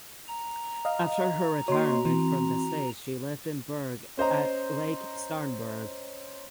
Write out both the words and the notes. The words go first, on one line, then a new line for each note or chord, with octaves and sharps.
After her retirement from the stage she lived in Berg at Lake Starnberg.
A#5
D#5 F5
A#3 F#4 C#5 D#5 C6
E3 C4
C#4 C5 D#5 A#5